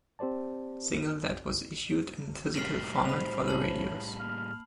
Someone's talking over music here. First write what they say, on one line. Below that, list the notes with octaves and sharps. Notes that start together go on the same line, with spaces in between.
Single that was issued in physical format for the radios.
C4 G4 C5 D5 A5
D#2 A2 G3 F6 C7 F#7
F#3 D#4 C5 B5 F7
C#3 E3 C#4 A5 F#7
A#3 F6